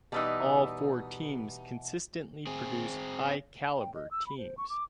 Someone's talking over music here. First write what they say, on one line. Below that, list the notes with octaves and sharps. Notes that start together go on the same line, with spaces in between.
All four teams consistently produce high-caliber teams.
B2 E3 G3 B3 D#4
C4 G#4
G5
D#5
E6
B5
C5
C#6
D6